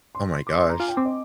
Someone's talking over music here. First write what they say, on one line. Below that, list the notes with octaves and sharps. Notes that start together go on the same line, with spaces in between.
Oh my gosh.
C6
D6
C6
A#5
F4 G#5
G5
C4 D6
D#5